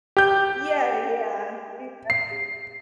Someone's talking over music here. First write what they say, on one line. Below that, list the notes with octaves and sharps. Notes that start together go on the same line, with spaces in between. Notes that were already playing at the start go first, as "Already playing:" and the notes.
Yeah, yeah. Exactly.
G4 G6
C7